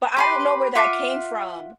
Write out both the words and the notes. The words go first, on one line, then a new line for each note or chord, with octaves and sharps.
But, I don't know where that came from.
G4 B4 C6
F4 E5 F#5 D6